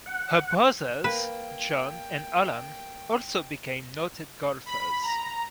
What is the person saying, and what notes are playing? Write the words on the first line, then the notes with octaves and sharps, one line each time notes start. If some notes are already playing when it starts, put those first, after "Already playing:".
Her brothers John and Allan also became noted golfers.
F#5
A#3 B4 G5
B5
A#5